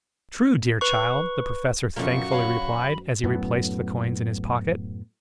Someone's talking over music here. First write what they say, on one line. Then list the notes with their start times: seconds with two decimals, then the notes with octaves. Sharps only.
"True, dear child!" the Professor thankfully replied, as he replaced the coins in his pocket.
0.81 B4 C#6
1.96 F#2 B2 F3 A#3 B3 F#4 C#6
2.32 C#5 F5 B5
3.24 F#2 A2 F#3 B3